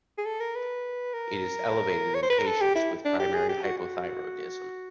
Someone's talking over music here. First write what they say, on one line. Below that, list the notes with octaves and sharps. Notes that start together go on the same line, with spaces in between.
It is elevated in patients with primary hypothyroidism.
G#4
A4
A#4
B4
A#4
C#5
C5
B4
A#4
A4
G4
E4
D4
G4
G#4
G4
F#4
F#4